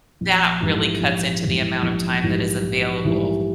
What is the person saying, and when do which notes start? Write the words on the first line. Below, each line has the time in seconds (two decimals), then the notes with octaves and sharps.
that really cuts into the amount of time that is available
0.21 A#1
0.61 G#2 E3 G3
1.01 A#1
1.42 G#2 E3 G3
1.83 A#1
2.23 G#2 E3 G3
2.63 A#1
3.05 G#2 E3 G3